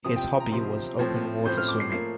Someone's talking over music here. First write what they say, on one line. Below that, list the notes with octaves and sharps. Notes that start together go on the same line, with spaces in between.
His hobby was open-water swimming.
C3 F3 C4 D#6
G5
A#5
C3 F3 C4 C6
A2 F3 C4
A2 F3 C4 G6
F6
D6
C7
A2 F3 A#3 C7